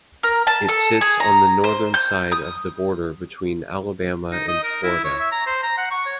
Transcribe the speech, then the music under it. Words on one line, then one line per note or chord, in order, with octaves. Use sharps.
It sits on the northern side of the border between Alabama and Florida.
A#4
A5
A4
G#4
A#5
C5
G6
D#6
D#4
D#5
A#4
E4
C#5
E5
A#5
C5
A#5
F#5
C#6
C#5